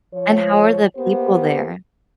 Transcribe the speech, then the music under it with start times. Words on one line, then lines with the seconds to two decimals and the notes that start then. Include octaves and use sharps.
And how are the people there?
0.13 F3 C#5
0.96 A#3 B3 G4 C5